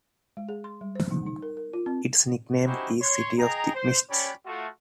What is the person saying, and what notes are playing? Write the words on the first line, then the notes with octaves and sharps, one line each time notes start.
Its nickname is City of the Mists.
G#3
G#4
C6
G3
C5
D#4
D#4
A#4
A#4
F4
C4
C#4 D#4 E4 F#4 G4 C5
C#5 C6
G#4 D#5 G5 A#5
C5
C#4 G4 C#5 D5 B5
A3 F4 F#4